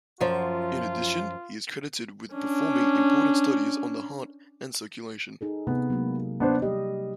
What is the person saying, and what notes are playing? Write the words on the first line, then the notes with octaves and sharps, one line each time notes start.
In addition, he is credited with performing important studies on the heart and circulation.
F#2 F3 F4
C#4 D4
D#4 G#4 A4
C3 B3
F#3 G#3 A#3
B3 D4 C5
G3 D#5